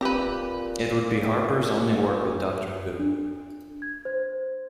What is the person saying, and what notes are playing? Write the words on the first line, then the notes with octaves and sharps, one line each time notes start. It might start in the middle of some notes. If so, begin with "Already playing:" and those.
It would be Harper's only work with "Doctor Who".
A#2 C4 G4 B4 A#5
D4
G#6
C5